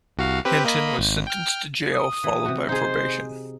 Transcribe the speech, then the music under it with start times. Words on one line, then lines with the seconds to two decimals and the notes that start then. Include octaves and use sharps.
Hinton was sentenced to jail followed by probation.
0.17 C2 F#4 F5
0.45 C4 G4 B4
0.65 A#3 D#5 B5
0.98 G#1
1.27 G5 F6
1.93 D#6
2.24 E3
2.45 C3 F#4
2.69 D#4 G#4 C5